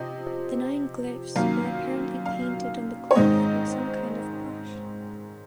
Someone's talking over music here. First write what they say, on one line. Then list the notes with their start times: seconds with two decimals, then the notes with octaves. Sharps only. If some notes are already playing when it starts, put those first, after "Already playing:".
The nine glyphs were apparently painted on the cloth with some kind of brush.
Already playing: C3 F3 C4 D#5
1.36 F#2 D#3 A#3 F5
2.26 F5
3.11 C#5
3.15 G#2 D#3 G#3 C4 D#5